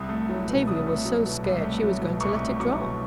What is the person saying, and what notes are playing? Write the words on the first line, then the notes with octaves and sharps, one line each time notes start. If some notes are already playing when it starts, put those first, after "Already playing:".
"Tavia was so scared she was going to let it drop."
Already playing: C2 D#6
A3
F#3
B2
C2 D#6
A3
F#3
B2
C2
A3
F#3
B2
C2 C#6
A3
F#3 C#6
B2